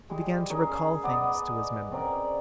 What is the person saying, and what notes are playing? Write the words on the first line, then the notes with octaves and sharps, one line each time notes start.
He began to recall things to his memory.
G3 G#3
C#4 G#4 A#4
B3 D5 D#5 D#6
C4 C#4 A#4 D5